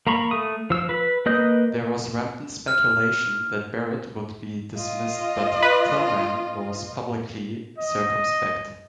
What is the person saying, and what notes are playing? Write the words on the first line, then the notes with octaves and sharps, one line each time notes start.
There was rampant speculation that Barrett would be dismissed, but Tillman was publicly circumspect.
A#3 A#5 B5 C#6
A3 D#6
F3 E6
B4 B5
A#3 B4 D#5 D#6 G6
F6
F4 D#5
B4
D#5